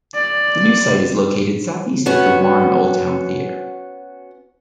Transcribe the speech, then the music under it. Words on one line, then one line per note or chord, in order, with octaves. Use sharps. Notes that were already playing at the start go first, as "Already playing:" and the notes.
The new site is located southeast of the Warren Old Town Theater.
D5
B3 C#4 F#4